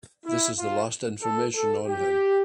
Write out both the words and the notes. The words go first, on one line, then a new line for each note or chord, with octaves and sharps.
This is the last information on him.
E4
F4
A4
A4
G4